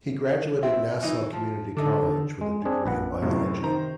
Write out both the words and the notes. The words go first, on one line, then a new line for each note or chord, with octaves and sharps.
He graduated Nassau Community College with a degree in Biology.
C4 E4 E5
E3 D#4
F3
D3 D4 D#4 A4
G#3
C4 D4 G#4
A#1 B4 F#5
F#2 A2 C3 F#3
D#3 C5 A#5